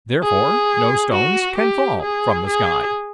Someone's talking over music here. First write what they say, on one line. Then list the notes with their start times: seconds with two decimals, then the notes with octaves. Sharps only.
Therefore no stones can fall from the sky.
0.23 G#4
1.12 F#4
1.57 G4
2.02 G#4
2.47 G#4